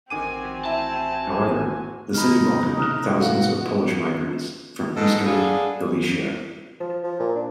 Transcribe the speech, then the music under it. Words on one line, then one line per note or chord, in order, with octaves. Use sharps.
However, the city welcomed thousands of Polish migrants from Eastern Galicia.
A1 D#3 C4 F#4 G#5 D6 D#7
E4 A5
C#3 D#4 B5 F6
C3 D#3 D#6 F6 F#6
F#4 A4 B4 F5
G#2 B2 A4 D#5
B3 D4 G#4 A4 F5
F3
F3
A#2
D4